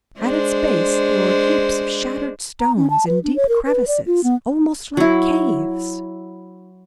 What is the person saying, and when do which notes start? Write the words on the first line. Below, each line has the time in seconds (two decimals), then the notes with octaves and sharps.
At its base there were heaps of shattered stones, and deep crevices almost like caves.
0.20 G#3 D4 C5
2.60 A#5
2.77 C#4
2.90 A5
3.07 B4
3.24 D4
3.36 C#5
3.49 A#4
3.66 B4
3.88 D5
4.06 F4
4.24 B3
4.97 F#3 E4